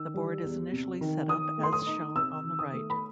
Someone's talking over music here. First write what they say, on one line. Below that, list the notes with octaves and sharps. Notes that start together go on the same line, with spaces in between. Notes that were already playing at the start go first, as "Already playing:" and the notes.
The board is initially set up as shown on the right.
Already playing: D#3 E6
G3
E2
C3
D#3
D#3 D#6
A3
C6
D#6
D#4
C3 E6
D#3
D#6
A3
B5